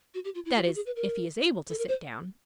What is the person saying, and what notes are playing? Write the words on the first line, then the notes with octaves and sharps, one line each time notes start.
That is, if he is able to sit down.
F#4
G4
F4
E4
F4
F#4
G#4
B4
A#4
A4
A#4
C5